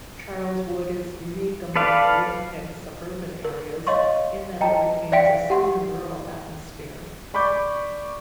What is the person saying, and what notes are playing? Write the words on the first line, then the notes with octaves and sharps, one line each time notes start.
Charleswood is unique among Winnipeg's suburban areas in that it retains a semi-rural atmosphere.
A4 B4 D5 F5
A#4
C#5 D#5 F5 C6 C#6
D#5 G5 A5 A#5
D5 E5 F5 G5 B6 D7
G4 F#5 C6
D5 B5 C#6 D6 G6